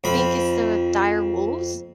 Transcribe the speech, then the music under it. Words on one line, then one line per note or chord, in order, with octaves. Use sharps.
think it's the dire wolves?
F2 B5